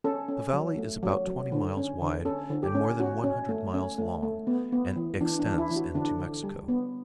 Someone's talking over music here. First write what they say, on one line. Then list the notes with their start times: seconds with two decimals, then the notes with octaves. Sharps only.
The valley is about twenty miles wide and more than one hundred miles long and extends into Mexico.
0.04 C#4 A4
0.28 C#4
0.53 F#3
0.77 A3
1.03 F#3
1.27 F#3
1.52 D3
1.77 C#4
2.01 D3
2.25 C#4 A4
2.50 D3
2.63 G4
2.75 C#4
3.00 C#4 F#4
3.24 C#4
3.49 A3
3.74 C#4
3.98 A3
4.23 A3
4.47 B3
4.72 B3
4.96 E3
5.21 E3 D4
5.39 D4
5.45 E3
5.58 E4
5.70 E3
5.76 F#4
5.94 D3 D4
6.19 D3
6.43 G3
6.68 B3